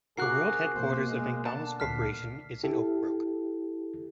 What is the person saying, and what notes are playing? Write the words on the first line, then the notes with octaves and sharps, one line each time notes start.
The world headquarters of McDonald's Corporation is in Oak Brook.
C3 F#4 G#4 A#4 D6 F#6 C7
B2 A#3 C5
G#3
D3 A5
D2 A#2 F6 B6 C7
E4 G4 A4